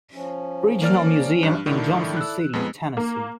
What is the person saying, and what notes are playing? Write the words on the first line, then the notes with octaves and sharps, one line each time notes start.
Regional Museum in Johnson City, Tennessee.
F3 C#4
A#3 D5 F6
G2 D4
A2 D3 D#3 E4 A4 D5
E6 F#6
F2 G#3 B3 D#4
A#3